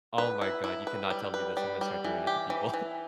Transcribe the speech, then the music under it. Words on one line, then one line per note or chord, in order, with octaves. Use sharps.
Oh my god, you cannot tell me this. I'm gonna start doing it to people.
B4
E4
E4
B4
G3
B4
G3
G3
E3
G4
E3
E3